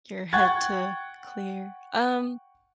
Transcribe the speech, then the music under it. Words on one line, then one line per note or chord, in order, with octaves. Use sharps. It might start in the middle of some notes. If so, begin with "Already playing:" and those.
your head to clear. Um
F#5 G5 C#6 F#6 G#6 A6